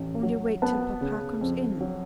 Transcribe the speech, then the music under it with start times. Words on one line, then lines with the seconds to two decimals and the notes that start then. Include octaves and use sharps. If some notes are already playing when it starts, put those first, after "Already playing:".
'Only wait till papa comes in.
Already playing: A1
0.23 F#3
0.62 B3 A5
1.01 C#3
1.41 F2
1.80 F#3